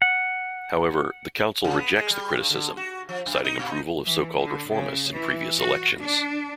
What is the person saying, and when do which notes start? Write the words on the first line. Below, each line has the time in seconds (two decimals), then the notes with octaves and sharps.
However, the council rejects the criticism, citing approval of so-called reformists in previous elections.
0.02 F#5
1.64 C#3
1.78 B3
1.96 G#3
2.10 G3
2.37 G2
2.50 D3
2.77 F#4
3.09 F3
3.26 F#2
3.44 D#4
3.59 A#2
3.70 D#4
4.06 E3
4.38 D3
4.70 C#3
5.12 E3
5.58 F#4
6.00 D4